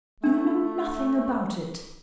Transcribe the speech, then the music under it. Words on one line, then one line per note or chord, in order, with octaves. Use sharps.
You know nothing about it.
A3 D4